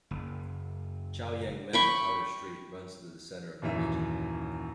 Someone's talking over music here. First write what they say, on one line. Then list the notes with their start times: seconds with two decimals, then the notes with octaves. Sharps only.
Chaoyangmen Outer Street runs through the centre of the region.
0.11 F#1
1.73 G5 B5 C#6
3.62 D#1 F#2 E3 E5